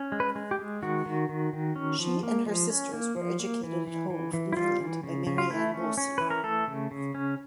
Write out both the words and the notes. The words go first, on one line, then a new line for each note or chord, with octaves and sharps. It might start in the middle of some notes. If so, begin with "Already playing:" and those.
She and her sisters were educated at Hove in England by Mary Ann Moulson.
Already playing: C#4
G#3
B4
G#3
G4
G#3
D#3 F#4
D#3
D#3
D#3
C#4
F3
A#3
F3
C#4
A#3
F3
A#3
E3
E3
E3
E3
E4
G3 F4
E3
C#3
C#3
F4
A3 E4
C#4
C#4
E3 B4
A#4
A3 A4
C#3
C#3
C#4